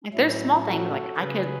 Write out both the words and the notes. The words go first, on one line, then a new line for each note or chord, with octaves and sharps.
like, there's small things, like, I could
A2 F#3 C#4 E4
F#4 A4
C#3 F#3 C#4 G#4 B4